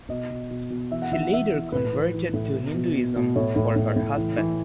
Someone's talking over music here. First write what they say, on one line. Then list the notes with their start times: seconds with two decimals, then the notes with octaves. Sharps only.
She later converted to Hinduism for her husband.
0.09 B2 D#5
0.30 B2
0.51 B2
0.70 B2
0.91 E3 E5
1.02 F#5
1.11 E3 E5
1.23 F#5
1.32 E3 E5
1.53 E3
1.72 A2 B4
1.93 E3
2.14 E3
2.34 A2
2.54 B2
2.74 B2
2.96 B2
3.16 B2
3.36 A2 C#5
3.56 A2
3.76 A2
3.96 A2
4.17 E3
4.37 E3